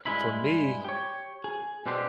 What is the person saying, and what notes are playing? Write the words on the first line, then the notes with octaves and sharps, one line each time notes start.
for me
G2 G#3 E4 B5
G4 C#5
G#4
B2 D3 C4 D4 G4 C6